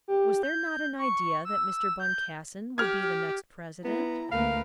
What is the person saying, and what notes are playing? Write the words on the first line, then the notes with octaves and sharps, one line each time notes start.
Was there not an idea that Mr. Boncassen would be the next President?
G4
G6
C#6
E6
G6
G4 F6 G#6
B3 E4 A#5
D2 A3 A#3 A#4 B4 F5